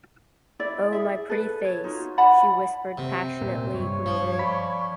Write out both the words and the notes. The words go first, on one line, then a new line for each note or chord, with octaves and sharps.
"Oh, my pretty face," she whispered, passionately grieving.
E4 D5
G#4 E5
A4 B4
C#5
D#4 F4 F#4
D5 F#5 A5 B5
C3 C4
A#2
G2 C#5
F3
D5 B5